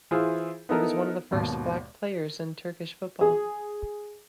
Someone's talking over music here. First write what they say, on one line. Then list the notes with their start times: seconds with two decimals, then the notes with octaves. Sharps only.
He was one of the first black players in Turkish football.
0.11 E3 E4 F4 G#4 C5
0.69 B3 D#4 E4 A4 A#4
1.31 G#1 D#2 B2 A5
3.21 G#4